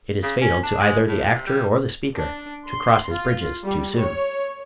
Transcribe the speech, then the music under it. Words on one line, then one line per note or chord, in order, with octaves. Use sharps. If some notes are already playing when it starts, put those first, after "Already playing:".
It is fatal to either the actor or the speaker to cross his bridges too soon.
C#3
C#4
D4
G#3
A2
C3
G3
D4
C6
F4
G3
C#5